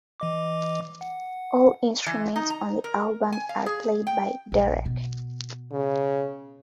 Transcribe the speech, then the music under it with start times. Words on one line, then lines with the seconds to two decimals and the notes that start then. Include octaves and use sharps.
All instruments on the album are played by Derek.
0.20 E3 D#5 D6
1.01 F#5
2.06 E3
2.36 D#4
2.50 A#5
2.84 A#4
3.32 G#5
3.49 F5
3.66 G#4
4.07 G5
4.52 A#1
4.86 B2
5.72 C#3